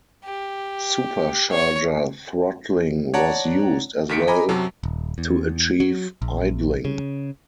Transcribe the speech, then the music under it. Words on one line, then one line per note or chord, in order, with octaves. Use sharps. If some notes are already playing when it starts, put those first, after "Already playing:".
Supercharger throttling was used as well to achieve idling.
G4
C#5
C#5 D5 F#5 A5 A#5
D#2 D#3 B6 C#7 D7
D#5 G#5 A#5 B5 D6
F#2 C3 F#3 A5
D#1
E2
F#3
A#1
C#3